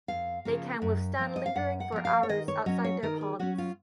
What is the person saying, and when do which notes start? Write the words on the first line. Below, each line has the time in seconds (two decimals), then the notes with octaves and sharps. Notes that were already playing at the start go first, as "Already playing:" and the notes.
They can withstand lingering for hours outside their ponds.
0.08 F2 F5
0.45 C#3 F3 A#3
0.82 F#2
1.19 F3 A#3
1.36 D#5
1.46 F5
1.55 F#2 F#5
1.80 F#5
1.92 F3 A#3
2.05 F5
2.23 C#5
2.29 D#3 D#5
2.48 C#5
2.66 F#3 C#4 D#5
2.84 C#5
3.03 D#3 A#4
3.21 G#4
3.39 F#3 C#4 F#4
3.58 F4